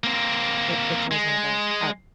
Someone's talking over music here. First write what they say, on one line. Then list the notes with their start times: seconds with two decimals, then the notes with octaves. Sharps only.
it it's always one of those har m m
0.04 A#3 C4
1.11 G#3